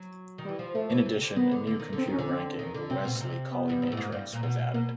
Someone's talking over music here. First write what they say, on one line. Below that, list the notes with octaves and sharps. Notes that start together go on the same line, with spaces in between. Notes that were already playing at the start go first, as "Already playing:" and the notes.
In addition, a new computer ranking, the Wesley Colley Matrix, was added.
Already playing: F#3
D#3
E3 G3
F3
F3 A3
E3
C3
D3
D#3 B3
D3
D3
D#3
D3 C4
D#3
C#4
D3
C4
D#3
D3
C3 C4
B2
B2
C3
B3
G2
G#2
A2
G#2
G2
A#2
B2
B2
B2 A#3